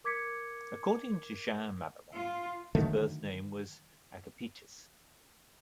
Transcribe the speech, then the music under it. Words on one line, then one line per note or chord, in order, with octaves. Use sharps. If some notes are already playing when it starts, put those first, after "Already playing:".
According to Jean Mabillon, his birth name was Agapitus.
A#4 D6 G#6 B6 C#7
F4
D3 D#3 F#3 A3